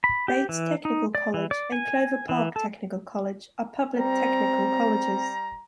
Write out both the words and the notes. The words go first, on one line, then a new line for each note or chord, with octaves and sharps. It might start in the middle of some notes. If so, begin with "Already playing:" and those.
Bates Technical College and Clover Park Technical College are public technical colleges.
B5
G4
E3
D#4
D5
E3
D5
G#5
E3
A4
G3 C4 A#5